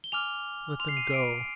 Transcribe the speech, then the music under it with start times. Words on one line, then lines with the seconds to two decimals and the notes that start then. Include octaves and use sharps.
Let them go!
0.04 G7
0.12 G#5 D6 F6 F7
0.80 C6 F6 F7
0.89 C7
0.97 D#7
1.05 C7
1.14 D7